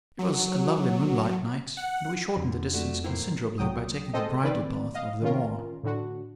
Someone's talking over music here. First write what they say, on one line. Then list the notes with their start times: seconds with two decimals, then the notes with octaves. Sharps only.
It was a lovely moonlight night, and we shortened the distance considerably by taking the bridle path over the moor.
0.19 F#3
1.77 F#5
2.36 F2 D3
2.73 G3 A3 F#4
3.04 A2 A#3 E4 C5 G5
3.58 C2 F#3 G5 D#6
4.14 G#3 C4 A4 C5 D#5
4.44 D#3 C4 B4 D5
4.94 D#5 F5
5.22 D#3 C#4 F4 A#4
5.83 A2 D3 F#4